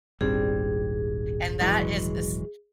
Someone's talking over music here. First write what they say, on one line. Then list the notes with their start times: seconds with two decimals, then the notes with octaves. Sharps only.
And that is a s
0.21 D#1 G#1 G3 C4 D4 G#4
1.61 E3 F#3 G#3